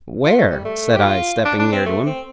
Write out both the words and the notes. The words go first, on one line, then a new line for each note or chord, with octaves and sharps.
"Where?" said I, stepping near to him.
F4
A3
G3
A3
G4
F4
D4
D4
C4
A3
C4